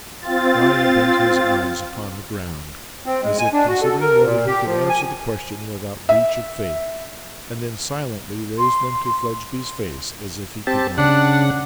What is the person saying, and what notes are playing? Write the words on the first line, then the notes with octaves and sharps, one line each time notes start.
Riah bent his eyes upon the ground, as if considering whether he could answer the question without breach of faith, and then silently raised them to Fledgeby's face, as if he could not.
C4 F4 A6
C4
G#3
G#5
D4
F#4
A4
A#4
A#2
G4
F3
G#5
E5
C6
C4 G4 A5
C#3 D4 F#5